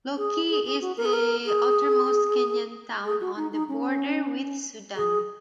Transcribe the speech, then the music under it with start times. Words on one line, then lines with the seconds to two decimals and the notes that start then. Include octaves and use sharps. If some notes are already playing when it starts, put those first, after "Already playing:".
Loki is the outermost Kenyan town on the border with Sudan.
0.17 G#4
0.49 G#4
0.65 G#4
0.81 F#4
0.97 A#4
1.05 G#4
1.13 A#4
1.45 G#4
3.05 G#4
3.20 F#4
3.36 D#4
3.52 D#4
3.68 C#4
4.96 G#4